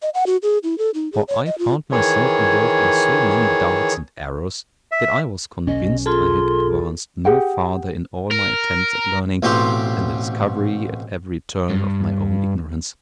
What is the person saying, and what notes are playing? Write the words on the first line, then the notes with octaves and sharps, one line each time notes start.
For I found myself involved in so many doubts and errors, that I was convinced I had advanced no farther in all my attempts at learning, than the discovery at every turn of my own ignorance.
D#5
F#5
F#4
G#4
E4
A4
D#4
G#4
C#5
D#5
F4
D#3 E3 G#4 C#5
E5
B1 C#4 D#5
F4 G#4 A4 C6
G4 G#4 F#5 G5
A#4
A1 B2 C4 F4 G4
G2